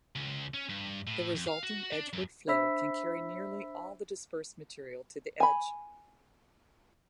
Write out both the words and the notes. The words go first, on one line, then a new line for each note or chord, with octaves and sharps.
The resulting edgeward flow can carry nearly all the dispersed material to the edge.
C#2
C#4
G2
A2
F2
F5
F#4
D4
F#2
D4 C5 E5 B5 E6 B6
G#5 B5